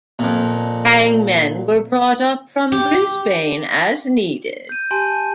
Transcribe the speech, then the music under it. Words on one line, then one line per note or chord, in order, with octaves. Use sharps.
Hangmen were brought up from Brisbane as needed.
F2 A#2
G4
G6 D#7
G4 G#5 A5 C6